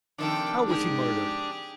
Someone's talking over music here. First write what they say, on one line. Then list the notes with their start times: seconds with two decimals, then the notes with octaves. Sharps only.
How was he murdered?
0.19 C3 D#3 F3 D4 A4 G5
0.67 G#2 G4 G#4